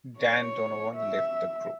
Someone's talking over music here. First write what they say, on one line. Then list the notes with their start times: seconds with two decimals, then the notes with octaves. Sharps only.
Dan Donovan left the group.
0.19 C#5
0.96 E5